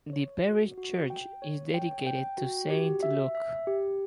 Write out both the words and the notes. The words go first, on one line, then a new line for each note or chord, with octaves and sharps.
The parish church is dedicated to Saint Luke.
C#5
F#4
F#4
G5
C#5
G5
G5
F#4
G4
E5
E5
G4